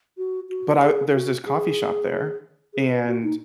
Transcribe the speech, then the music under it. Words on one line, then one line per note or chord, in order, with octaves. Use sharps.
but I there's this coffee shop there, and
F#4
F#4
G#4
F#4
G#4
G#4
B4
F#4
D#4